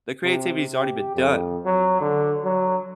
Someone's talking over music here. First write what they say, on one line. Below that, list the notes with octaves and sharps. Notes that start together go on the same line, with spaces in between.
The creativity's already been done.
C3
G4
F2
F#3
D3
F#3